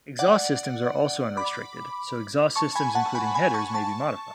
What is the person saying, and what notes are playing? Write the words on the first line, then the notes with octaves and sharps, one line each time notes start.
Exhaust systems are also unrestricted, so exhaust systems including headers may be modified.
D5 F#5
B5 D6
A5 C#6
G#5 B5
F#5 A5
G#5 B5
G#5 B5
A5 C#6
A5 C#6